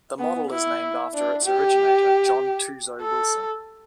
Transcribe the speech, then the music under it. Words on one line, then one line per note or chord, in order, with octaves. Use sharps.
The model is named after its originator John Tuzo Wilson.
B3
E4
D4
G4
A4